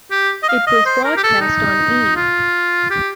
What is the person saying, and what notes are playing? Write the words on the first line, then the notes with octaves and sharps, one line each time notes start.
It was broadcast on E!
G4
D#5
F5
D#5
C5
A#4
G4
A4
D#4
F4
G4